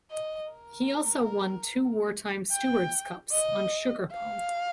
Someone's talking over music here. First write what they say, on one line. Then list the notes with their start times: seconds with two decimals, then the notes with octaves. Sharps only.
He also won two wartime Stewards Cups on Sugar Palm.
0.11 D#5
0.52 A#4
2.52 G5
3.32 D#5
4.12 F5